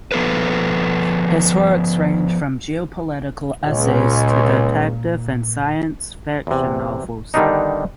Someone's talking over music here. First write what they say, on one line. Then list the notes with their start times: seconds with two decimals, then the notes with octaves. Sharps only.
His works range from geopolitical essays to detective and science fiction novels.
0.12 F3 B3 A4 B4
3.63 C#2 A#2
6.47 E2 C3
7.34 D3 D#3 G3 B3 D4 D#4